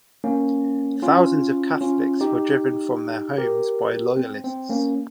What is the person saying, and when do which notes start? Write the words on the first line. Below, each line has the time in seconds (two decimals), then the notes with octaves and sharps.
Thousands of Catholics were driven from their homes by loyalists.
0.24 A#3 C#4
1.02 C#4 F4
1.81 C#4 F4
2.21 D#4 G4
3.38 G4 A#4
4.17 C4
4.44 C4
4.69 A#3 C#4